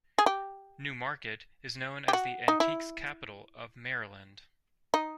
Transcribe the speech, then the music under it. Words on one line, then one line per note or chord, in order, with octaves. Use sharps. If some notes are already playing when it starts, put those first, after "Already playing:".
New Market is known as the Antiques Capital of Maryland.
G#4
G4
G4
F#4
D#4
E4
D#4